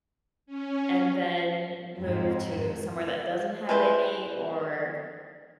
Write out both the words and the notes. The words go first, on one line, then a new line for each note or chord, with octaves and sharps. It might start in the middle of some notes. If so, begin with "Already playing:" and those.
and then move to somewhere that doesn't have any, or,
C#4
F2 G#2
G#3 E4 B4 C5